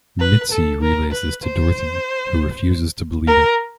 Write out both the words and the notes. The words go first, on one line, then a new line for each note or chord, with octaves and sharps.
Mitzi relays this to Dorothy, who refuses to believe it.
B4
A4
A#4
B4
C5
A#4